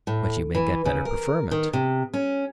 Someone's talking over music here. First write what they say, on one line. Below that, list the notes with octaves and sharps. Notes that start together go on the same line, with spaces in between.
"But you may get better preferment."
A2
E3
C#3
A#4
D#3
C3
C#4